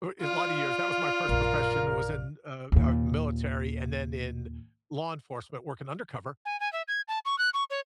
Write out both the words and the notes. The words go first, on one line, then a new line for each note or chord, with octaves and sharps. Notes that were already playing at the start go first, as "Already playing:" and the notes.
uh, a lotta years, that was my first profession was in, uh, uh, military and then in law enforcement working undercover,
F4 D5 F5 F6
A#1 F#2 A#4
D#2 A#2
G#5
G#5
E5
G#6
A5
C#6
F#6
C#6
C#5